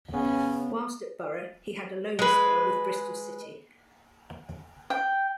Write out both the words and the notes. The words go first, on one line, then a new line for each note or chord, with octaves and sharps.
Whilst at Boro he had a loan spell with Bristol City.
C#3 B3 C#4
G#3 B4
G5